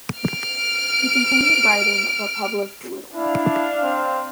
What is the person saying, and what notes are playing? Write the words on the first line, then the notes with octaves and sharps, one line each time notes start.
He continued writing but published little.
F6 D7
D4 E4 F5
C4